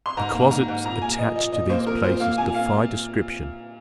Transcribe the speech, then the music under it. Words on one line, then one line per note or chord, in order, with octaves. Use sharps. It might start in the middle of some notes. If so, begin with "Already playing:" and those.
The closets attached to these places defy description.
C6
G#2 A#5
A#3
D#3 A#5
G#2
A#2 A#5
A#3 G#5
F3 D#5
A#2 D#5
A#2 D#5
A#3 C5
F3 A#4
A#2 C5
A#3 F5
A#2 G#5
A#3 F5